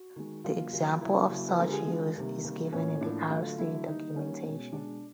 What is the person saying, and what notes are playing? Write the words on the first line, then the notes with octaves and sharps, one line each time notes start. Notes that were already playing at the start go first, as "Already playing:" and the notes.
The example of such use is given in the rc documentation.
Already playing: F#4
D#3 G#3
C#3 F#3 A#3 F4
C#3 F#3 A#3
C#3 F#3 A#3 E4
C#3 F#3 A#3
B4
D3 F3 G#3 A#4
G4
G#4
D3 F3 G#3
C3 D#3 G3 A#3
C3 D#3 G3 A#3
A2 F3 A#3 C#4
A2 F3 A#3 D4
D3 F#3 A3 F4
D3 F#3 A3 E4
D#3 G3 A#3 D#4
D#3 G3 A#3 C#4
B2 G#3
B2 G#3 D4